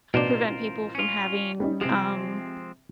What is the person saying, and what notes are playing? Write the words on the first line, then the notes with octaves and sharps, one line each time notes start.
prevent people from having, um,
A1 B2 D4 F4 A#4 C5
C#4 F4
G3 C#4 D#4
C3 F3 G#3 C4 G4